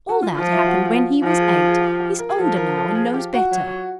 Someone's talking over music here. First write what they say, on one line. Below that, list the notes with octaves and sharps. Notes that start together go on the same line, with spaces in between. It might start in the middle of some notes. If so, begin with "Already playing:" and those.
"All that happened when he was eight; he's older now and knows better."
F#4
F4
F3 F4
E4
F#4
F3 G4
G#4
G4
G#4
G4
G4
A#4
G#4
F3 A4
A#4
A4
G#4
G4
F#4
F#3